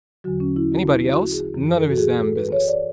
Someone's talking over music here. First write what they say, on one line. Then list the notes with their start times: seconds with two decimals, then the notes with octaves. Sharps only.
Anybody else, none of his damn business.
0.24 E2 D3 F#3 F#4
0.40 C#4
0.56 E4
0.73 F#4
0.89 E4
1.11 F#4
1.32 G#4
1.54 F#2 E3
1.76 A4
1.90 F#4
1.98 G#4
2.20 A4
2.35 B4
2.52 C#5
2.68 D5